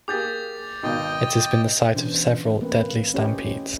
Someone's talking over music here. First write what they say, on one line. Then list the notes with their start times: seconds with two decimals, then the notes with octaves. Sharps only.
It has been the site of several deadly stampedes.
0.08 A#3 G4 G#4 D6 G6 A6
0.83 G#1 B2 D#5 F5 G5
1.94 B2 E3 C#4 D4 C5
2.61 A3 A#3 C4 B4
3.14 C#4 E4 G4 C5 C#5 D#5